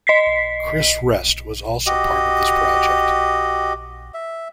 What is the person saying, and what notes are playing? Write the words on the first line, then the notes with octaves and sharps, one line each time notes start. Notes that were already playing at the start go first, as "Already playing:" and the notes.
Chris Rest was also part of this project.
D#5 B6 C7
F#4 G4 D#5
E5